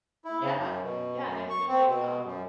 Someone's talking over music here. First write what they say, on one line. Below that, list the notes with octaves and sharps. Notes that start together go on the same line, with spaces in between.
Yeah, yeah, and I feel like, um,
E4
C#3
F#2
B2
F#2
C#6
C4
B2
F#2